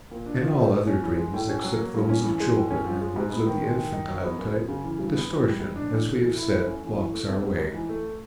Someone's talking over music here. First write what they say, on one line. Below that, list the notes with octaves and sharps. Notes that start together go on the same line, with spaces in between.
In all other dreams except those of children and those of the infantile type, distortion, as we have said, blocks our way.
A#2
D4
F3
A3
G#2
C#4
E3
G#3
A2
C#4
F#3
A#3
G2
C#4
E3
G#3
A2
C#4
F3
G#3
G#2
B3
D#3
G#3
D#3
D#4
F#3
B3
F#2
F#2
C#3
E3
G2
B3
E3
G3
G#2
D4
E3
A3
E3
E4
A3
C#4
E3
E3
A3
C4
G#2
G#2
E3
A3